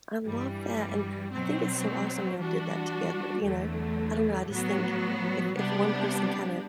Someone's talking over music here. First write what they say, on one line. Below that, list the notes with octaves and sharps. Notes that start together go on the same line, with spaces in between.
I love that, and I think it's so awesome y'all did that together, you know? I don't know, I just think if if one person kinda
G2 E3 G3
B2 F#3 C4
E3 G3 D4 F#4
E2 D3 F#3 A3
A2 F#3 B3 F#4
C3 G3 B3 D4 G4